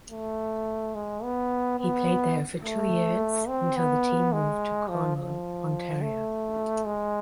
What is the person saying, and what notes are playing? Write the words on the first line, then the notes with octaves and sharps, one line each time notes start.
He played there for two years until the team moved to Cornwall, Ontario.
A3
G#3
B3
B3
A3
C4
B3
G#3
F3
F3
A3
G#3